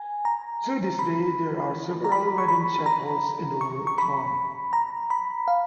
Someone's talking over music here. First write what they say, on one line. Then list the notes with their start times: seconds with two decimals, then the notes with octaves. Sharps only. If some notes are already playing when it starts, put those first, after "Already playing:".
To this day, there are several wedding chapels in the town.
Already playing: G#5
0.25 A#5
0.99 B5
2.04 A#5
2.12 B5
2.38 C#6
2.48 B5
2.86 A#5
3.61 C#6
3.87 C#6
3.98 B5
4.73 A#5
5.10 B5
5.48 F5